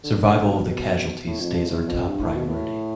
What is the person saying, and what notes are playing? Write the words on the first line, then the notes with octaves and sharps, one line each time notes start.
Survival of the casualties stays our top priority!
D3
D3
B2
A2
F2
F2
E2
F2
G2
A2
B2
A2